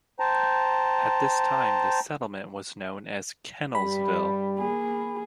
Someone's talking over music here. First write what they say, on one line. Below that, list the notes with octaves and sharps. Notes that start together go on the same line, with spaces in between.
At this time, the settlement was known as Kennelsville.
C5 G5 A5 A#5
G2 G3 B5
A#3 G#4